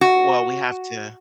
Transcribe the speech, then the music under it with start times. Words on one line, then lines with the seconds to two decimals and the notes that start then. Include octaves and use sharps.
Well, we have to
0.01 F#4